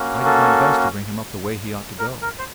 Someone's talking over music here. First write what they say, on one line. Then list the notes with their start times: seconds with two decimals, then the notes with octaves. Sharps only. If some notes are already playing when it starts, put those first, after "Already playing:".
I did my best to bring him up the way he ought to go.
Already playing: A#3 C#4 F#4
0.25 A4
1.99 A#4
2.22 A#4
2.39 C5